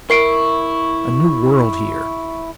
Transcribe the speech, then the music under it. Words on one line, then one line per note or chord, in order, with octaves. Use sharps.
A new world here.
E4 A#4 C#6 C7 D7